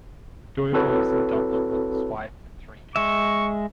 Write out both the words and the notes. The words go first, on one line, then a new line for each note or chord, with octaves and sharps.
Doyle lives in Dublin with his wife and three children.
C4 E4 F#4 A4 B4 C#5
G#3 E5 C#6